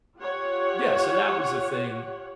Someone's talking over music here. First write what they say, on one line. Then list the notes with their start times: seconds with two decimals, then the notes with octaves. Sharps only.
yeah, so that was the thing
0.18 F4 G4 C#5 F#5